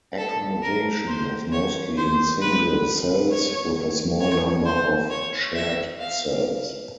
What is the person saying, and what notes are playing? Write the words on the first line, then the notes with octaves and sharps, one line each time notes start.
Accommodation was mostly in single cells, with a small number of shared cells.
A4
A#4
C5
C#5
C5
B4
C#5
C#5
C5
C#5
E5
F5